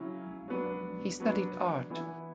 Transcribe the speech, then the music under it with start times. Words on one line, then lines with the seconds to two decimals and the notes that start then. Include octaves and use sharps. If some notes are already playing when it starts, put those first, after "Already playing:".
He studied art.
Already playing: C#3 F#3 C#4 E4
0.48 F#3 B3 D4
1.20 F#3 B3 D4
1.90 E3 B3 E4